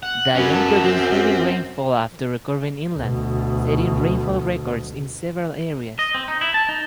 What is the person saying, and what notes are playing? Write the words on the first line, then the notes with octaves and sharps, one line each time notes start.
Diane produced heavy rainfall after recurving inland, setting rainfall records in several areas.
F#5
F#2 C#4 B4
B3 A4
C4
D2 B2
D#5
C4
D#4
E4
A5
D#4